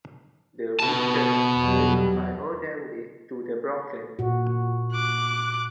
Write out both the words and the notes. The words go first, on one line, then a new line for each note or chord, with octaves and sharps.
The witches sweep by on their way to the Brocken.
B2 A5
E2 F#3 G3
A#2 F#4
D6 F#6